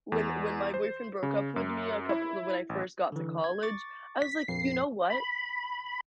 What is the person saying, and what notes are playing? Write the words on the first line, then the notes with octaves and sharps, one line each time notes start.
When when my boyfriend broke up with me a couple when I first got to college, I was like, "You know what?
E2
C5
C#3
F#2
E4
A1
D3 E3
G#6
C#6 D6 A6
B6
A#1 F2 C7
B5